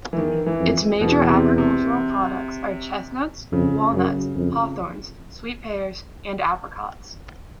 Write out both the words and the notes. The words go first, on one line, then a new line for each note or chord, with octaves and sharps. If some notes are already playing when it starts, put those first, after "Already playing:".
Its major agricultural products are chestnuts, walnuts, hawthorns, sweet pears, and apricots.
E3
E2 D#3
E3
F2
E2 B2
C3
C3
F2 C#3
F#2
F2